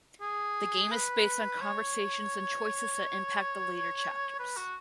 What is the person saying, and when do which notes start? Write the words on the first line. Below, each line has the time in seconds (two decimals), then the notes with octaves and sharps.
The game is based on conversations and choices that impact the later chapters.
0.21 G#4
0.92 B4
1.61 C#5
4.39 B4
4.57 F#4